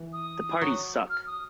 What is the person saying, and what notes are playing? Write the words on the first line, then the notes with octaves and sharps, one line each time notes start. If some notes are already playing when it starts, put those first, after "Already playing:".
The parties suck.
Already playing: E3
D#6
F#3
F6
D#6